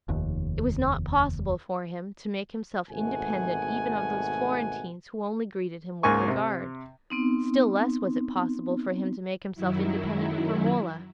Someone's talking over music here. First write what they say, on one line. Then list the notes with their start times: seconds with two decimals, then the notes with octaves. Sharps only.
It was not possible for him to make himself independent even of those Florentines who only greeted him with regard; still less was it possible for him to make himself independent of Romola.
0.09 F1 D#2
2.90 G#1 B2 A3 F#5 G#5
6.03 C#2 G#2 A#3 G#5 C#6
6.28 C3
7.10 B3 C4 D#4
9.55 F#2 D#3 F#3 E4